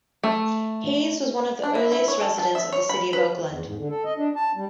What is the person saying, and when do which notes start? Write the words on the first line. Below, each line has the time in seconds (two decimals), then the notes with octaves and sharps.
Hays was one of the earliest residents of the city of Oakland.
0.23 A3
1.63 D4
1.75 E4
1.92 E4
2.08 C#5
2.21 A4
2.38 A5
2.55 E5
2.72 C#5
2.89 B5
3.13 B4
3.48 E2
3.65 G#2
3.78 D3
3.90 A4
4.05 D#5
4.17 D4
4.36 A5
4.56 G3